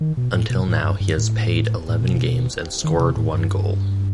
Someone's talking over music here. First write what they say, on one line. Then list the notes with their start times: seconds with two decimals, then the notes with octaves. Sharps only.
Until now, he has payed eleven games and scored one goal.
0.01 D#3
0.17 B2
0.33 A2
0.50 B2
0.68 A2
0.83 G2
1.00 G2
1.17 A2
1.89 A2
2.01 B2
2.84 D#3
3.00 C3
3.16 A2
3.34 G2